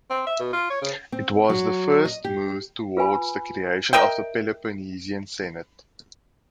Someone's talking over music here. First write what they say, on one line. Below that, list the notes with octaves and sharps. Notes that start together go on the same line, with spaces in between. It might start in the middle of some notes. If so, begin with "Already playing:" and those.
It was the first move towards the creation of the Peloponnesian Senate.
C4
E5
B2
F4
C#5
C#3
C4
F#3
D#5
G4
F4 B4 F5 G#5 B5
A#4 D#5 E5 G5